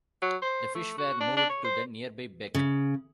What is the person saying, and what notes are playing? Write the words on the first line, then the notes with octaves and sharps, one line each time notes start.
The fish were moved to the nearby beck.
F#3
C5
A3
F#4
D4
D4
C#5
C5
C#3